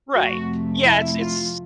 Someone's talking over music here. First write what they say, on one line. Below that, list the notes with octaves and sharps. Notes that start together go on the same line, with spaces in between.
Right. Yeah, it's it's
F2 C3 F3 A3 F#4
E4
F4